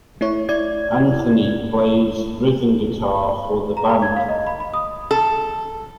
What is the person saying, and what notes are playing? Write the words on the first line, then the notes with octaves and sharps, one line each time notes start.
Antony plays rhythm guitar for the band.
A3 E4 C#5
E4 D5 G#6
A#5
B5
G#6
F5
D#5
B5
B5
D#6
A4